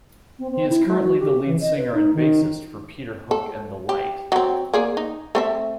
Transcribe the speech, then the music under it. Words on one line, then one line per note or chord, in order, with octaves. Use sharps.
He is currently the lead singer and bassist for Peter Hook and the Light.
C4
C4
E4
F#3
F#4
G4
E3
D#5
B4
D#4
D#3
A4
G4
F#3 C4
A#3 G#4 D5
D#4
A3 C4 E5